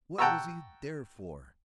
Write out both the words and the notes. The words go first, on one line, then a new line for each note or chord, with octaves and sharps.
What was he there for?
F#5 G5 A5 A#5 C#6 E6